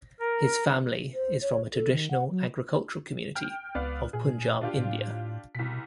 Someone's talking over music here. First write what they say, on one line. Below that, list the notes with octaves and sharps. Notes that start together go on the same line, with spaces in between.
His family is from a traditional agricultural community of Punjab, India.
A#4
C5
C#5
A4
D#3
F#5
F#3
G5 F6 G6
C#2 B3 D5 F5
A#2 G#4
D4 F4 G4
A2
C2 B2 B6